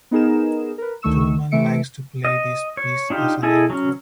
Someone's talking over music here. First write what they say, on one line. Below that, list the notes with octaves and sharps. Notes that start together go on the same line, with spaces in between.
Turban likes to play this piece as an encore.
B3 D#4 G#4 A#4 E7
A#4 B4
D2 D#3 A3 C#6 E6 E7
C3 E3 A3 E5 C#7 D7
D#5
C#5
D4 D#4 F4 G4
E4 G#4 A4 D#5
F#3 C#4